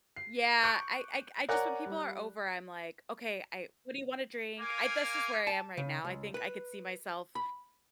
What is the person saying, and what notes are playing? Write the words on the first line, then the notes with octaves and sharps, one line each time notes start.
Yeah, I I I just when people are over, I'm, like, "Okay, I what do you wanna drink?" I that's just where I am right now, I think I could see myself
C7
C#6 D6 F#6 G6 C#7 D7
A#4 C#5 D5 F#5 G#5 F#6
G3
A#3 F5 G#5 D6
A5
C#3
C#2
B4
B5